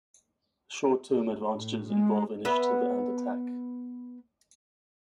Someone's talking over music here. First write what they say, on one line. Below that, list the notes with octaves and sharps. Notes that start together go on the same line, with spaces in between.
Short term advantages involve initiative and attack.
A2
G#3
B3 E5